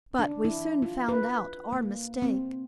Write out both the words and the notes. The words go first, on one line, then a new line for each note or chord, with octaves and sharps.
But we soon found out our mistake.
D4
E4
F4
B4
A#3
C4